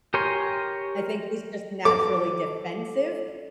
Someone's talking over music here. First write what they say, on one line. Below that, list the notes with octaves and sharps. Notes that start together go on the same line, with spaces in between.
I think he's just naturally defensive,
G4 A#4 C#5 G#5 C6
A4 D6